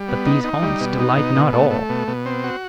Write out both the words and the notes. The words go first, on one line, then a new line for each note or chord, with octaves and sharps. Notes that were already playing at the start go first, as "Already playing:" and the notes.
But these haunts Delight not all.
Already playing: G3
B3
D#4
D#4
G3
B2
D#4
B2
B2
A3
A3
B2
B2
C4
F#4